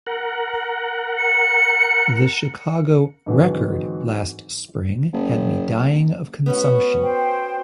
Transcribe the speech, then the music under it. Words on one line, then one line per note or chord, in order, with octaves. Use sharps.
The Chicago "Record" last spring had me dying of consumption.
A#4 F#5
C#7
G#2 D3 E3 F#3 C4 F#4
F#1
B3 C#4 F#4
C5 G5